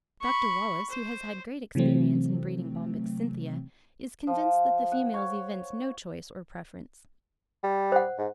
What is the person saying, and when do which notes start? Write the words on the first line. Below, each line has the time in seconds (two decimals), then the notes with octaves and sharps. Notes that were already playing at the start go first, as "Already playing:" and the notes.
Dr. Wallace, who has had great experience in breeding Bombyx cynthia, is convinced that the females evince no choice or preference.
0.21 B5 C#6
0.90 C5
1.75 C3 E3 F#3 A3 C4
4.27 F3
4.92 F#5
5.14 C#5
7.63 G3
7.92 C5 F#5
8.18 G#2